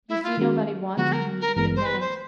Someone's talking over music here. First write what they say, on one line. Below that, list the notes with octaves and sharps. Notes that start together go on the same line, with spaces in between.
You see, nobody wanted me even then.
E4
F4
D#3 G#3 C#4 F#4
D3 F3 G#3 B3 F#4
A#4
A#4
G#1 G2 E3 G#3 B3 A#4
C5
B4
C5